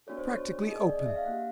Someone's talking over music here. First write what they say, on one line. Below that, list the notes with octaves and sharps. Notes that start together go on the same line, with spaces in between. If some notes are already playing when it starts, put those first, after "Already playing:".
Practically open.
B3 D4 F#4 A4 C#5
C5
C#5
B3 D#4 G#4 D#5
D5
D#5
E5
F5
A#3 D4 G4 F#5